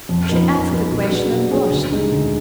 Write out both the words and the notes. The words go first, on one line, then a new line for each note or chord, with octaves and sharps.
She asked the question and blushed.
F2
F3 B3 D#4 A#4
F2
F3 B3 D#4 A#4
B2
F#3 D4 G#4 B4
B2
F#3 D4 G#4 B4
D2
D3 G#3 D#4 G#4
D2